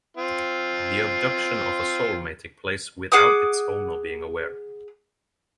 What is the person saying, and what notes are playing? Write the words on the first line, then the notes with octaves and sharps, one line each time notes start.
The abduction of a soul may take place without its owner being aware.
C4 F4
G#4 F#5 D6 D#6